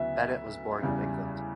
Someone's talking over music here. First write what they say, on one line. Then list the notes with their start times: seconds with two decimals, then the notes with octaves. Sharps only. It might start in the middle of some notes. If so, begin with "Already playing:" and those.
Bennett was born in England.
Already playing: D2 C#3 F#3 B3 E4 E5
0.82 E2 C#3 G3